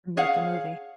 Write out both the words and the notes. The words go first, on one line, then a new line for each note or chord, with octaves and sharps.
And make a movie.
G#4 C#5 F5 F#5